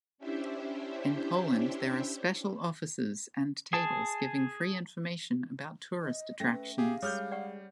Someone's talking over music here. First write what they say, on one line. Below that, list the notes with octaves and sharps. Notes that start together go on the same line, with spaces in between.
In Poland there are special offices and tables giving free information about tourist attractions.
C#4 D4 E4 G4 C5 E5
G#4 A5
D#5
A3 C#4 A4 A#6
B4
G4 G#4 F5
G3 G#3 C#5 D6 D#6 F6 G6
D5 F#5 C#6